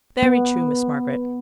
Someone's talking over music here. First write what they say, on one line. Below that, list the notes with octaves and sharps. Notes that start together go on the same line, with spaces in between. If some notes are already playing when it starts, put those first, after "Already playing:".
'Very true, Miss Margaret.
B3